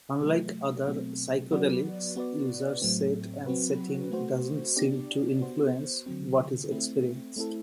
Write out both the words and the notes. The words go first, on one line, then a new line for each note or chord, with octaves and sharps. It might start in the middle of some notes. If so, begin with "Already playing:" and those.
Unlike other psychedelics, users' set and setting doesn't seem to influence what is experienced.
C3 F#3 A3
B2 F#3 A3 C4
F#3 B3 F#4 B4 D5
B3 F#4 B4 D5
A2 F#3 A3 C4
F#3 C4 F#4 B4
A3 C4 F#4 C5
B3 D4 G4 D5
B3 F#4 C5
D3 F#3 C4
A3 C4 E4
A3 C4 E4 A4